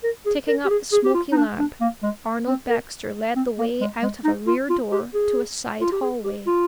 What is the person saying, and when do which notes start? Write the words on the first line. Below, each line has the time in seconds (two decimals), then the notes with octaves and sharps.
Taking up the smoky lamp, Arnold Baxter led the way out of a rear door to a side hallway.
0.04 A#4
0.26 G#4
0.48 A#4
0.64 G4
0.70 G#4
0.92 G#4
1.04 G4
1.14 F4
1.32 D#4
1.37 D4
1.59 D4
1.81 A#3
2.03 G#3
2.47 C4
2.69 A#4
3.36 C4
3.58 A#3
3.81 G#3
4.02 G#3
4.24 D#4
4.47 F4
4.69 F4
4.91 G4
5.14 G#4
5.81 F4
5.92 G4
6.02 G#4
6.24 G4
6.46 F4